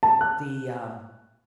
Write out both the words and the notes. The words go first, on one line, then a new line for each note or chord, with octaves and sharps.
the, um
A5
F#6